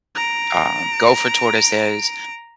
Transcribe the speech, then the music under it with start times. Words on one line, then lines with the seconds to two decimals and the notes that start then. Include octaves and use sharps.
um, gopher tortoises,
0.15 A#5 D7